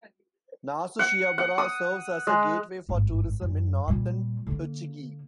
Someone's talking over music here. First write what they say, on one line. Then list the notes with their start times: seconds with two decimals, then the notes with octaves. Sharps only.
Nasushiobara serves as a gateway for tourism in northern Tochigi.
0.99 F#5
1.38 F#5
1.58 D#6
2.27 G#3
2.89 G#1 G2
3.41 F#2
3.88 A#2 G3
4.47 D3 A#3